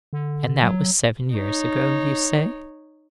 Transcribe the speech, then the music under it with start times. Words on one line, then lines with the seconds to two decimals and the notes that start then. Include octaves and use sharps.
'And that was seven years ago, you say?'
0.13 D3
0.62 F#3
1.35 D#4 C#5